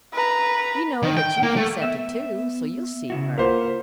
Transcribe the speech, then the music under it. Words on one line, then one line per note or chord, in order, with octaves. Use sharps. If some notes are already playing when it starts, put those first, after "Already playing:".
"You know that you've accepted too, so you'll see her."
B4 A#5
D#3
G5
A#3
A3
B3 E5
C#3 E4 F#4
A#3 F4 B4 C5 F5 F#5